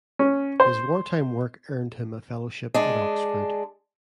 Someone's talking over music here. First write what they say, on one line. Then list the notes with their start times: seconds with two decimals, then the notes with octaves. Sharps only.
His war time work earned him a fellowship at Oxford.
0.19 C#4
0.60 C5
2.74 G#3 D4